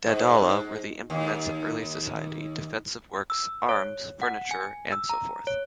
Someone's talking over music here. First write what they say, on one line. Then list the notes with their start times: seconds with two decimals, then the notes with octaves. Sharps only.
Daidala were the implements of early society: defensive works, arms, furniture, and so forth.
0.06 G#2
1.10 D#2
3.30 E6
3.69 C#5
4.22 F#5
4.51 G#5
4.92 E6
5.09 A#5
5.47 C#5